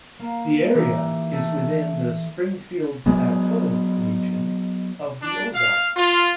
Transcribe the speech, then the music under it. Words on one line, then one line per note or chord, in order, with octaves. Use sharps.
The area is within the Springfield Plateau region of the Ozarks.
A#3
E3 D#4 G4
A3
F#3 G#3 B3
D4
F5
F4